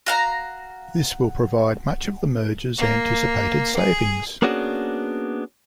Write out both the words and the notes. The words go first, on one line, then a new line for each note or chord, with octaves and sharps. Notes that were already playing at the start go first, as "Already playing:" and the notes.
This will provide much of the merger's anticipated savings.
F#4 F5 A#5
A#3
G#4
A#3 B3 C#4 D4 F#4 G#4